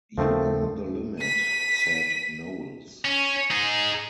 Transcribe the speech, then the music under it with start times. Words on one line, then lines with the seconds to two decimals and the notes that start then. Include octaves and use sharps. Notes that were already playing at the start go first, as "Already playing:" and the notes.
"You are the limit," said Knowles.
0.18 D#2 C#3 F3 A3 C4 D4 A4 A#4
1.21 B6 D#7
3.05 C#4
3.50 D#4 G#4